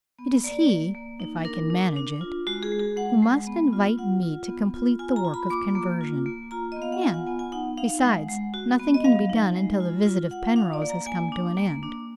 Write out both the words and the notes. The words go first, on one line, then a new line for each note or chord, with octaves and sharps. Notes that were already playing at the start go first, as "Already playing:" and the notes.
It is he, if I can manage it, who must invite me to complete the work of conversion--and, besides, nothing can be done until the visit of Penrose has come to an end.
B3
A#3 D5
A#3
A#3
D#4
D4 A#4
D4
D4
F4
G#3 F#4
G#4
G#3
G#4
G#3 F#5
G#3
B3
F4
F4 F#5
F4
B3
F4
F4 G#5
A#5
F4
B5
A#3 D6
A#3
F4
A#3
F4 A#5
B3 D#5
F5
F#5
F4 G#5
F#5
B3 G#5
G#5
D#4 F#5
D#4 F5
G#3 F#5
G#3
F#4
B3
D#5
F#3 F5
D#4
G#3
F4
F4
F4 F#5
D4 F5
D5
A#3
A#5
A#3 G#5
D4
A#3
D4